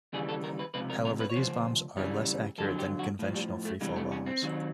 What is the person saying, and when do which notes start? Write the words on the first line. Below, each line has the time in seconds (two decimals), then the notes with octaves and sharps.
However, these bombs are less accurate than conventional free-fall bombs.
0.13 D#2 C#3 E3 G3 G#4
0.28 A4
0.44 A#4
0.59 B4
0.74 C#2 C3 F3 B4
0.90 A#4
1.05 A#4
1.20 B4
1.30 C#5
1.36 D2 C#3 F3 C5
1.97 F#2 C#3 E3 G3
2.58 F2 D3 F#3 A4
2.79 G4
2.99 F#4
3.19 A2 F3
3.35 G3
3.65 A3
3.81 E2 C3 E3 G3 G#3
3.96 A3
4.11 C#4
4.26 C4
4.42 D#2 D#3 F#3